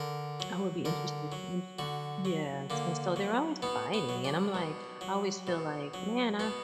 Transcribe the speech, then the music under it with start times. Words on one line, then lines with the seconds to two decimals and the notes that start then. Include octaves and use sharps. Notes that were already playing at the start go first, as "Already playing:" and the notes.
I would be interested interested yeah, and so they're always fighting, and I'm like I always feel like, "Man, I"
Already playing: D3 A#4
0.40 F#3
0.85 D3 A#4
1.32 F#3
1.79 D3 F#4
2.25 F#3
2.70 D3 A#3
3.16 F#3
3.62 B2 B3
3.94 B3
4.09 F#3
4.24 D4
4.54 B2
5.01 F#3
5.47 B2
5.94 F#3
6.39 B2 B3